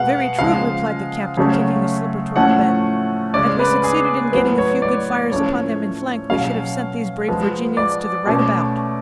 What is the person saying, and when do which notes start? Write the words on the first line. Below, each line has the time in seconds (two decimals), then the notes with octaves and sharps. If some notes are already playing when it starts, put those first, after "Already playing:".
"Very true," replied the captain, kicking a slipper towards the bed. "Had we succeeded in getting a few good fires upon them in flank, we should have sent these brave Virginians to the right about."
Already playing: B2 G#3 B3 F5 F#5
0.39 C#3 F3 G#3 F5
1.37 C#3 F#3 A3 C#4
2.36 A2 F3 A3 C#4 F#5
3.34 C#3 G#3 C#4 D5
3.59 B4
3.84 G#4
4.32 A2 F#3 B3 B4
4.58 C#5
4.82 D5
5.32 A2 F3 A3 C#4 C#5
6.30 B2 F#3 C#4 F5
7.28 F3 G#3 B3
7.77 D5
8.26 B2 A3 C#4